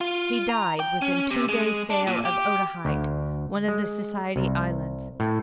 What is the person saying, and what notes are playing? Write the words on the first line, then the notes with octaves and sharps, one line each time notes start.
He died within two days' sail of Otaheite, one of the Society Islands.
F4
A#5
G5
C#4
C3
G#3
D4
A#2
G4
D2
G#3
C2
A2